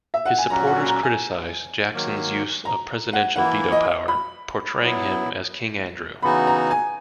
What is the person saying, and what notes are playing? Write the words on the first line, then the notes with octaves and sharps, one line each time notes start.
His supporters criticized Jackson's use of presidential veto power, portraying him as King Andrew.
E5
F#5
G#5
A#2 F#3 C#4 F#4 A#5
F#5
A#5
G#5
D#3 F#3 A#3
A#5
F#5
E3 A#3 E4 F#5
D#5
B5
F#3 B3 E4
C#3 E3 B3 D#4 F#4 B5
A#5
G#5